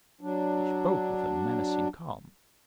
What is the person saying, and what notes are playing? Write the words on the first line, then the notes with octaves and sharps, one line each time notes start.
He spoke with a menacing calm.
F#3 D4